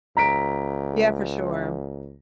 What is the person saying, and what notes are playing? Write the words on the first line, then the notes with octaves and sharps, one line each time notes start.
Yeah, for sure.
C#2 A#5 B6 D7